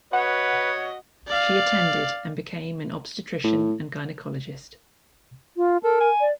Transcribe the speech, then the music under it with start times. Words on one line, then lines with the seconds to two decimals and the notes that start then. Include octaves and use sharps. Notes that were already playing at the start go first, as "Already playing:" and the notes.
She attended and became an obstetrician and gynecologist.
0.13 F#4 B4 C#5 D#5 F#5
1.27 D5 F5
3.44 A2
5.57 F4
5.83 A4 A#4
6.00 G#5
6.21 D5